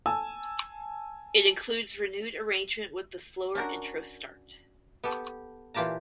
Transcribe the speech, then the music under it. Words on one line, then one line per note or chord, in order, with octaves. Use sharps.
It includes renewed arrangement with the slower intro start.
G#5 A5 E6
C#4 D4 F#4 A#4
B3 G4 A4
A#2 E3 F4 G4 A5 A#5